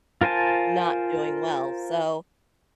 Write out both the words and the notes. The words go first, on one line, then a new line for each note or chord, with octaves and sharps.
not doing well, so
F4 A#4 C5 G#5 A5